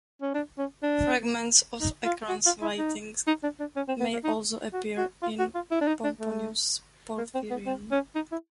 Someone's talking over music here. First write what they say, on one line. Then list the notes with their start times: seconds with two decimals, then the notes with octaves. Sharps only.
Fragments of Acron's writing may also appear in Pomponius Porphyrion.
0.22 C#4
0.34 D4
0.58 C#4
0.83 D4
1.81 D#4
2.05 F4
2.29 F#4
2.46 F4
2.62 E4
2.78 D#4
3.27 D#4
3.43 D4
3.60 D4
3.76 C#4
3.88 C4
4.00 B3
4.13 A#3
4.24 D#4
4.73 F#4
4.97 F#4
5.22 F4
5.39 F#4
5.55 F4
5.71 E4
5.81 D4
5.88 D#4
6.04 D4
6.20 A3
7.18 A#3
7.34 C4
7.50 B3
7.66 C4
7.91 C#4
8.15 D#4
8.32 E4